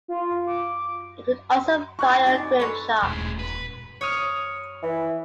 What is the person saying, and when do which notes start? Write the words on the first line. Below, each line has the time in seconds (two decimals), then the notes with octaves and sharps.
It could also fire grapeshot.
0.08 F4
0.47 D6
1.99 E4 C#6 F#6 G#6
2.27 C4 D#4 F#4 D5 D#5 G#5
2.60 A4 B4 C#5
3.03 D#1 A2 G#3
3.39 B4
4.01 C#5 D#6 F6
4.83 E3